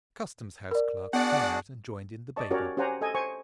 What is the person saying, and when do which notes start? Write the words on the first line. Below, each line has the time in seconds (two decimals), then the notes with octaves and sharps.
A Customs House clerk came out and joined in the babel.
0.71 A#4 D5
1.13 B3 D4 F#4 G#4 D5 F#5
2.36 D5 D#5 A5 C#6
2.50 C#4 F#4 G4 A#4 C#5 D5
2.77 C#4 G4 C5 F#5 G#5 A#5
3.01 A4 D#5 G#5
3.15 C5 G#5 C#6